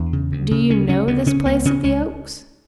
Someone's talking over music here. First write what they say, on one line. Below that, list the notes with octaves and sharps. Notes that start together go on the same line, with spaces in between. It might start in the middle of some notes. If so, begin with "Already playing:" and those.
Do you know this place of the oaks?
Already playing: E2 D4
C#3
D2
C#3
D2 C#4
C#3 C#4
D2 B3
C#3 C#4
C#2 B3
C#3 C#4
C#2 C#4